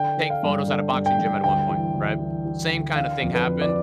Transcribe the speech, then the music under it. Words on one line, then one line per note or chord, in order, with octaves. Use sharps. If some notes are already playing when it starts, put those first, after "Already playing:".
take photos at a boxing gym at one point, right? Same kinda thing happened.
Already playing: D3 G5
D3
F5
G2
D3
G2
G5
G2
D2 G5
E3
D2
E3
E3
D2
D3 F5
F2
B4
F2
D5